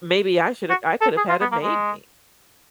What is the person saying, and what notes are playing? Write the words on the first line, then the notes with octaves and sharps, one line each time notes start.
maybe I should have I could have had a baby
F#4
A4
G#4
F4
B3
A#3
G#3